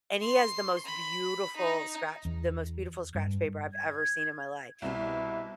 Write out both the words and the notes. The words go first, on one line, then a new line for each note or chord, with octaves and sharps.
And he has the most beautiful scratch the most beautiful scratch paper I've ever seen in my life.
C6
B5
D#4
E2
G2
G#6
C2 B2 E4